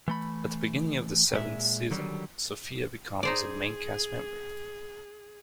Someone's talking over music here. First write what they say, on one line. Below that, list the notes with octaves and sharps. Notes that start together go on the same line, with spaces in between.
At the beginning of the seventh season, Sofia becomes a main cast member.
E3 A3 B5
A#2 G#3 C5 E5
D3 D#3 F#3 G3
D#4 G#4 C5 D5